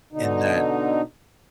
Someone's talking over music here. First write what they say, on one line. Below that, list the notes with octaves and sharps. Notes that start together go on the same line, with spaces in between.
and that,
B2 D3 D#4